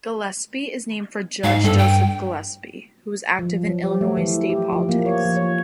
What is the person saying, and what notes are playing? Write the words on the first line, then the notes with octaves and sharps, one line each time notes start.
Gillespie is named for Judge Joseph Gillespie, who was active in Illinois state politics.
G#2 F5
G2 A4
G5
F3
F#3
G4
A3
E3
G4
F3
A#3
C#5
F3
C#5